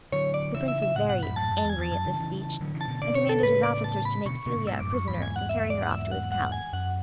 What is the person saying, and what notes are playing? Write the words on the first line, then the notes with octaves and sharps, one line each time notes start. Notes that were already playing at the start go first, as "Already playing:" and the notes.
The Prince was very angry at this speech, and commanded his officers to make Celia a prisoner and carry her off to his palace.
D3 F#3 C#5
D5
C#3 E3 E5
E5
E5
A2 C#3 F#5
G#2 B2 F#5
F#2 A2 B5
F#2 A2 A5
F#2
A5
E2
G#5
E2 A5
F#2
C#3 E3
C#3 E3
D3 F#3
C#3 E3
A5
B2 D3
B2 D3 D5
C#5
A4
A2 C#3 B4
D5
A5
B5
B2 D3 C#6
B2 D3
A2 C#3
G#2 B2 E6
F#2 A2 D6
F#2 C#6
E2 G#2 B5
G#5
F#5
E5
D5
F#5
E5
F#5
F#5
G#5
F#2 F#5